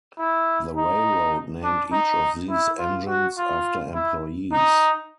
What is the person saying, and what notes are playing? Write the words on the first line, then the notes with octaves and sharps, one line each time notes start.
The railroad named each of these engines after employees.
E4
D#4
D4
D#4
E4
F4
F#4
F4
E4
D#4